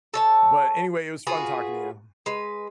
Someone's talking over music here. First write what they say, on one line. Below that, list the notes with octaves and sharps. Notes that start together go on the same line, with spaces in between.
But anyway, it was fun talking to you.
A4 C#5 A5
F4 F#4 G#4 B4
G#3 B4